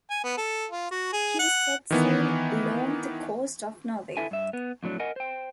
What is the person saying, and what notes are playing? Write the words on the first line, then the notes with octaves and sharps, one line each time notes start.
He set sail along the coast of Norway.
G#5
B3
A4
F4
F#4
G#4
F#5
D#3 E3 B3
D3 E4 A4 B4 E5 G#5
G2 E5
B3
F2 A2 F#3 D4
A#4 D#5 F#5 G#5
C5 G5